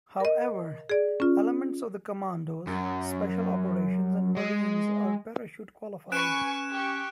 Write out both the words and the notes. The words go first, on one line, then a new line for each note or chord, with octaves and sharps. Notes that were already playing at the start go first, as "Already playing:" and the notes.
However, elements of the commandos, special operations and marines are parachute qualified.
A#4 D#5
G#4 D5
C#4 F4
F#2
G#3
C#4 B4 G#5 C#6 F#6 D7 E7
G4 C#6